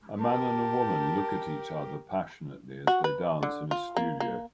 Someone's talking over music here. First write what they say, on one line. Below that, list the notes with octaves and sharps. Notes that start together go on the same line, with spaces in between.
A man and a woman look at each other passionately as they dance in a studio.
G4 A#4 A5
F#4
B4
D3
F4
A#3
A#3